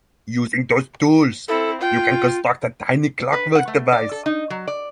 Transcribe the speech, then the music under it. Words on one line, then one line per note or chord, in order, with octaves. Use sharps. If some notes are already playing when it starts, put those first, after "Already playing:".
Using those tools, you can construct a Tiny clockwork device.
C4 E4 A4
F4 G5
B4
F#5
A3
D5
A4
D#4
F#3
D5